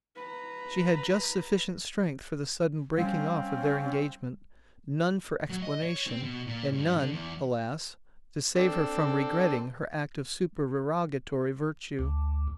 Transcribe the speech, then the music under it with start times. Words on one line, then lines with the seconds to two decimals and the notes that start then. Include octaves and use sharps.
She had just sufficient strength for the sudden breaking off of their engagement, none for explanation, and none, alas! to save her from regretting her act of supererogatory virtue.
0.16 B4 A#5
2.98 G3 C4 C#4 F5
5.49 F#3
5.62 D#5
5.83 C#5
6.07 C4
6.23 B2
6.47 A#2
6.73 G2
6.98 D3
7.12 E2
8.55 C4 D4 A4
11.99 D2